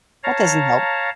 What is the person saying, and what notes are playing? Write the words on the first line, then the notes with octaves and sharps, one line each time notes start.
That doesn't help.
C#5 F5 A5 A#5